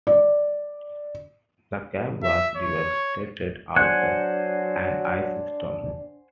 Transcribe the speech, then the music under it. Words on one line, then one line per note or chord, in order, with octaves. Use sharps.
The camp was devastated after an ice storm.
D5
E5
C#5
F#3 D4 C5 F#5 G#5 F#6